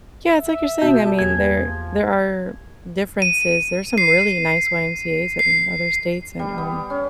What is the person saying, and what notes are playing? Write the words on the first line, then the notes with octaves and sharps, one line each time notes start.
yeah, it's like you're saying, I mean, there there are differences, there are some really nice YMCAs in other states and, um,
E5
B2 A5 G6
E2 A#3 G4 G#4 G#6
F3
D#7
C7
C7
G3
B3
C#4